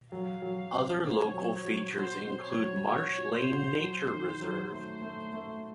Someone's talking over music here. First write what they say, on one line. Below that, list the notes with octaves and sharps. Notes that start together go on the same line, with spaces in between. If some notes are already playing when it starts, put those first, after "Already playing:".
Other local features include Marsh Lane Nature Reserve.
F#3 F5
F#3
C4
C4 C#5
F#3
F#3
F#4 C5
C4
C#5
F#3
F#4 C#5
F#4
C5
F#4
F#3 C5
D#3
F#3
A3 C5
A3
A3